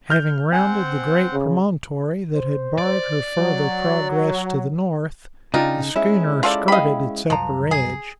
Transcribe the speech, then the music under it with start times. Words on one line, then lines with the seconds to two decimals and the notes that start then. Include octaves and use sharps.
Having rounded the great promontory that had barred her farther progress to the north, the schooner skirted its upper edge.
0.10 F6 G6
0.52 C4 C5 F#5 G#5
1.33 C#3
2.33 C5
2.78 D5
3.38 F#3
5.54 C#3 D4 D#4 F4 G5
5.96 G#3 C#4 E4 E5
6.43 F4 A4 D5
6.68 D#5 F5 G5 B5
7.30 C2 F#2 F3 A#5
7.71 G#4